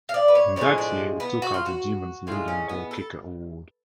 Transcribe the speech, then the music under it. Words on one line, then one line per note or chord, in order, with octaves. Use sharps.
In that year he took out the Demons' leading goalkicker award.
F5
D5
B4
C#5
A2 F3 G#3 C#5
D4
B3
F#4
F4
F#4
A2 G#3 F4
C#4
B3
A4